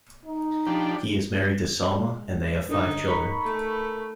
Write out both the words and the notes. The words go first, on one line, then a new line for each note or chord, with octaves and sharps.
He is married to Salma and they have five children.
D#4
F3 D4 G4
G#3
D3 D#3 D#4 D#5
A#4 B5 C#6
A3 A4